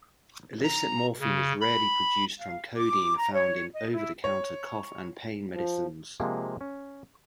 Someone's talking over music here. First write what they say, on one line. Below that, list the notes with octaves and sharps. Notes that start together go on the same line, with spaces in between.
Illicit morphine is rarely produced from codeine found in over-the-counter cough and pain medicines.
A#5
C#3
B5
F5
D6
A#5
C#5
D#5
E4
C#5
F3
C3 F3 G#3 A#3
C#4